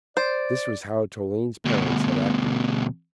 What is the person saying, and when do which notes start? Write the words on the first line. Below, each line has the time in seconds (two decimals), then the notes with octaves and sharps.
This was how Toline's parents had acted.
0.17 C5 D5
1.65 D2 B2